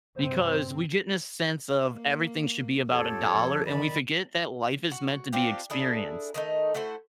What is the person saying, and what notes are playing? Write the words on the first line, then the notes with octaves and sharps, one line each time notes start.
because we get in a sense of everything should be about a dollar, and we forget that life is meant to be experienced.
G2 C3 C4 C5
A#3
F2 F3 G4 A4 C#5
D#3 D5 B5
F#4
C4 D4 F4 G4
D4 E4 G#4 A4
D#3 A3 D#4
A3 E4 F#4 C5